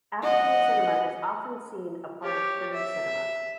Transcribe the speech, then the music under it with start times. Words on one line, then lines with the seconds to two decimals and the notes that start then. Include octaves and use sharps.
African cinema is often seen a part of Third Cinema.
0.23 D#5 F#5
2.23 G4 C#5
2.73 E5